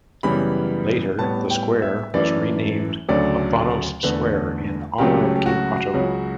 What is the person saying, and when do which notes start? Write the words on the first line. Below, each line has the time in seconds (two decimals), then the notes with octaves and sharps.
Later, the square was renamed "Othonos Square" in honor of King Otto.
0.23 F#2 C#3 E3 G3 B3 B5
1.19 A2 G3 B3 A5
1.50 G5
1.82 E5
2.14 F#2 E3 A3 D5
3.09 D2 C#3 F#3 A3 D5
4.03 E2 D3 A3 B4
4.98 C#2 C#3 F#3 A3 G4
5.36 G4
5.46 F#4
5.94 C#2 C#3 F#3